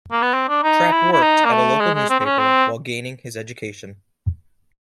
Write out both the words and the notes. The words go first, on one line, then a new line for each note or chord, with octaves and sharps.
Trapp worked at a local newspaper while gaining his education.
A#3
B3
C4
D4
D#4
E4
E4
D#4
A#3
A3
G#3
G#3
C4
C4
C#4
C4